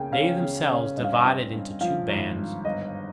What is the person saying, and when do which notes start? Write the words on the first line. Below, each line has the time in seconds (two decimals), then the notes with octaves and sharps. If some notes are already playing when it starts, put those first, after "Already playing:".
They themselves divided into two bands.
Already playing: C#3 A#3 G5 G#5
0.12 C#4 F5
0.41 C#3
0.69 C#4
0.97 G2 D#5
1.04 F5
1.13 D#5
1.25 C4
1.53 G2
1.81 F3 F5
2.09 G#1
2.37 G2
2.65 G1 D#5